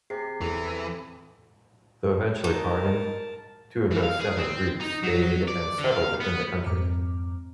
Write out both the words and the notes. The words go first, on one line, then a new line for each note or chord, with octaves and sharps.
Though eventually pardoned, two of those seven Greeks stayed and settled in the country.
C3 G#4 C7
E2 E3 A4
D#4 A#4 A5
E3
F5
G#4
C4
D#4
F#3
D5
D3
F5
B3
F2 G#2 C4 A#5 D6 F6